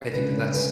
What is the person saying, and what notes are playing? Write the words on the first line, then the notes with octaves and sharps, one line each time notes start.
I think that that's
C#3 G#3 D4 B4
C#3 G#3 B4